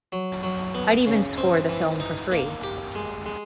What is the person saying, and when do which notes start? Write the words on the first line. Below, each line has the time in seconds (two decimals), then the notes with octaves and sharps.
I'd even score the film for free.
0.12 F#3
0.43 F#3
0.75 B3
1.07 C#3
1.38 C4
1.69 E3
2.00 D#4
2.32 A#3
2.64 G4
2.95 G#3
3.26 G#3